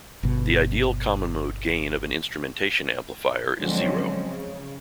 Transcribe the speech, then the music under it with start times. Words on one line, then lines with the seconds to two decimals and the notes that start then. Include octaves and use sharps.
The ideal common-mode gain of an instrumentation amplifier is zero.
0.23 G1 B2
3.57 D3 F3 F#3 G#3 C4 C#4
4.24 C#3